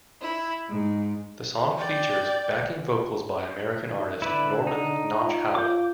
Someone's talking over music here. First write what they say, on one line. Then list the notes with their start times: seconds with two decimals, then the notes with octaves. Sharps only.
The song features backing vocals by American artist Norman "Notch" Howell.
0.20 E4
0.68 G#2
1.77 D5 G5
3.91 D#3
4.22 D3 E4 B4 D5
4.67 D#4
5.20 F4
5.55 F4 D6 G6